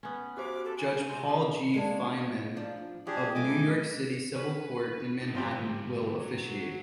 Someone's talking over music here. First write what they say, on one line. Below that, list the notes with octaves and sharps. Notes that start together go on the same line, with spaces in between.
Judge Paul G. Feinman of New York City Civil Court in Manhattan will officiate.
B3 C#4
F#4 G4 C5 D6
A4
G#5 D7 E7
C3 C4
F3
G#3 A#3 D4
F3 D4
F3 D4 G4 G#4
G2 B2 A3 D#5 G#5 D6
C#4 B4
D#4 F4
G#2 D3 F3 C4 G4
F#3